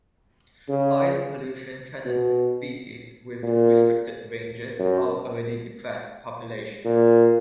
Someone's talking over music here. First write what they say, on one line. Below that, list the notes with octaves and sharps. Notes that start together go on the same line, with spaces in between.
Oil pollution threatens species with restricted ranges or already depressed populations.
C#3
B2
A#2
F#2
A#2